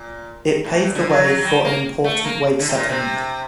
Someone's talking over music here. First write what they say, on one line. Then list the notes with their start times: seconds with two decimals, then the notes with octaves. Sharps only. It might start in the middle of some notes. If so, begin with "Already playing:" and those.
It paved the way for an important wage settlement.
Already playing: A#2
0.64 A2
0.80 A#2
0.95 D3
1.10 F#3
1.24 F#3
1.38 F#3
1.45 G3
1.65 A#3
2.04 A3
2.24 A#3
2.59 D3
2.69 C3
2.75 A#2
2.89 C3